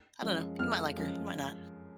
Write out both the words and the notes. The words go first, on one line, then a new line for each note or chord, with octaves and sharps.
I don't know. You might like her. You might not.
F#2 F3 G#3
F2 F3 G#3 F6
F#2 F3 G#3